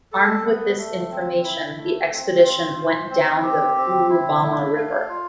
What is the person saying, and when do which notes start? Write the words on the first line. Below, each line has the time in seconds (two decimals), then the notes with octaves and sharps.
Armed with this information the expedition went down the Urubamba River.
0.12 A4
0.45 B3
0.78 A3
1.11 C4
1.44 E4
1.78 A3
2.11 C4
2.44 F4
2.78 C5
3.10 C4
3.43 G4
3.77 C4
4.10 E4
4.42 A3
4.75 F5
5.09 F4